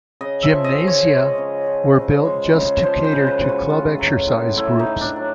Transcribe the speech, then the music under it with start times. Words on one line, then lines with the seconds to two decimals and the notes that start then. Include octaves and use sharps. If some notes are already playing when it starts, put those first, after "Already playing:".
Gymnasia were built just to cater to club exercise groups.
0.21 C#3 D#5
0.42 E5
0.50 F3
0.64 D#5
0.80 C#3
0.87 C#5
1.08 G#3
1.38 C#3
1.67 F3
1.96 C#3
2.25 G#3
2.54 C#3
2.83 F3 C5
3.04 C5
3.12 C#3
3.27 B4
3.41 G#3
3.49 F#4
3.70 A2 F4
3.99 F#3
4.28 A2
4.57 A3 E4
4.79 D#4
4.87 A2
5.01 D4
5.16 F#3